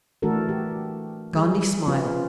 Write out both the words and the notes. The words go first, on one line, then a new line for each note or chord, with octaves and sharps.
Gondy smiled.
E3 A3 D4 F#4 A4 A#4
G4
G3 G#4
C#3 F3 C#4 F4 G4 B4